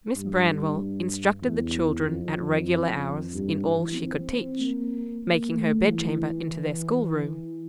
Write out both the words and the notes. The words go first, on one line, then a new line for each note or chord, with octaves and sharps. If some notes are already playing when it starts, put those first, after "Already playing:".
Miss Branwell instructed the children at regular hours in all she could teach, making her bed-chamber into their schoolroom.
G2
E2
F2
F2
G2
E3
C4
A#3
A#3
A3
E3